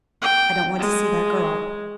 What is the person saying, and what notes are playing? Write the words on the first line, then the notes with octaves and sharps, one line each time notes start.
I don't want to see that girl.
G5
G#3